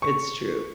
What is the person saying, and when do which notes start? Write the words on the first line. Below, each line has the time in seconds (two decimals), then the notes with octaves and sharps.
It's true.
0.02 C#6